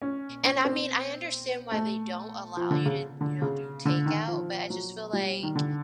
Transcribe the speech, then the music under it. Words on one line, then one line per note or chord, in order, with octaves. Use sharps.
and, I mean, I understand why they don't allow you to, you know, do takeout, but I just feel like,
C#4
C#4
C4
A3
F3
D3
C#3
D3
C#3
D3
D#3
F3
F#3
G3
D#3
D3